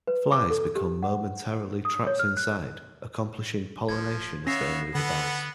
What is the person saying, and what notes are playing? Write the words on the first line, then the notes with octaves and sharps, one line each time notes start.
Flies become momentarily trapped inside, accomplishing pollination as they move about.
B4
D6
A4
G4
F#5
D#6
C#5
F6
F#6
D1 F3 G#6
B3 C#4 C#5 E5 F5 A#6 C7
D3 B3 A4 B4 F#5